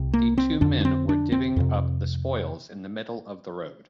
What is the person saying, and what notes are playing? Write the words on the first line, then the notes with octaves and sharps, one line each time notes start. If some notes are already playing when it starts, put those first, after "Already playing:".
The two men were divvying up the spoils in the middle of the road.
Already playing: C2 C3
A#3
C4
F2 D3 D4
D4
C4
D4
C4
F2 C3